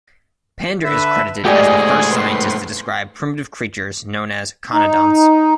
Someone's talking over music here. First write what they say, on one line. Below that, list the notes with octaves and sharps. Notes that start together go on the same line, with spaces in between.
Pander is credited as the first scientist to describe primitive creatures known as conodonts.
D3 B4 E5
G#2 A3 G4 G#4 D5 D#5 G#5
B4 C6
D#4